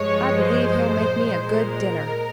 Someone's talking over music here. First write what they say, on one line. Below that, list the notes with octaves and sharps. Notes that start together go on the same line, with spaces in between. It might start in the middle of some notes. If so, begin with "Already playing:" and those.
I believe he'll make me a good dinner.'
Already playing: G2 F3 G#3 C#5
C5
A#2 G#3
A#4